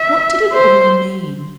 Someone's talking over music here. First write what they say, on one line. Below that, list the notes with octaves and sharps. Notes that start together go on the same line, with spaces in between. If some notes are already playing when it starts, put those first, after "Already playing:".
What did it all mean?
Already playing: E5
C5